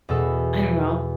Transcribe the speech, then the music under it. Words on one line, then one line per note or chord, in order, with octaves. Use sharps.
I don't know.
E2 B2 A4 E6